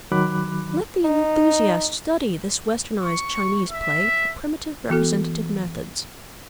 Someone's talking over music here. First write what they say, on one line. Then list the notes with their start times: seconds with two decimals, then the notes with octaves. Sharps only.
Let the enthusiast study this westernized Chinese play for primitive representative methods.
0.12 D#3 F#3 B5 D6 F#6
1.04 D#4
3.03 C#6
3.71 E5
4.90 E3 B3 F#4 A4